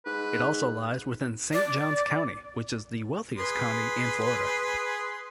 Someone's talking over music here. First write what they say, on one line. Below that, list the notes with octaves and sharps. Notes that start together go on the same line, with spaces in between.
It also lies within Saint Johns County, which is the wealthiest county in Florida.
G#2 B4
D5
G#4 B4 C6